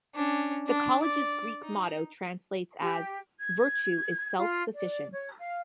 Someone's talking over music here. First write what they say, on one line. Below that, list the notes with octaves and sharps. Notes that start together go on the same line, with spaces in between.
The college's Greek motto translates as "virtue is self-sufficient".
C#4 D4
D4
D5
D#4
G4
G#6
F4
D5
C#5
F5